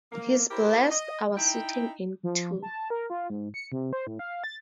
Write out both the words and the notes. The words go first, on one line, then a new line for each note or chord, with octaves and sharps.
He's blessed our sitting in, too.
A#3
E4 G4 A#4 C5
D#5
D#4 E4 G5
F3
A5
A#4
F4
G#2
C#7
C3
C5
A2
F5
A6